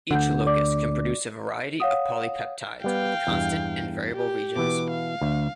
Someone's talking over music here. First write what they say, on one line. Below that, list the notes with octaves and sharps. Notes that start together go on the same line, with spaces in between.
Each locus can produce a variety of polypeptides with constant and variable regions.
D2 D3 F#5 G6
D5 D6
C#5 F5 F#5 D#6
G3 B3 F5 G5
E2 G2
G4
B2 E3 B3 D6
F5
D2